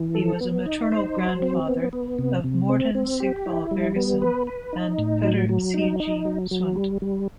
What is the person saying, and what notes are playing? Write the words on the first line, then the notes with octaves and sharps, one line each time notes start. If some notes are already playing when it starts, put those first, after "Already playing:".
He was a maternal grandfather of Morten Sigval Bergesen and Petter C. G. Sundt.
Already playing: E3
A4
B3
D#4
C5
F#3
C4
B3
B3
C3
C3
C4
C4
G4
E4
G3
B3
B4
B4
D#4
A2
F#3
F#3
D#4
D#4
F#3
F#3
G3
G3